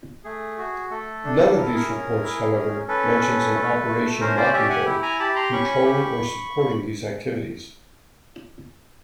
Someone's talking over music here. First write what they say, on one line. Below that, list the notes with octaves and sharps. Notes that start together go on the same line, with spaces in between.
None of these reports, however, mentions an Operation Mockingbird controlling or supporting these activities.
A3 G#4
F#4
A3 A4
D4
E4 A#4
A4
G#4 A#4
C#4
E4
C#4
C#4 A4 B4
C#4
A3
A3
C#4 A#4 C5
C5 D5
G4 D5 E5
F#5 G#5
E4
G#5 A#5
G4 A5 B5
A#5 C6
C#4 B5 C#6
G4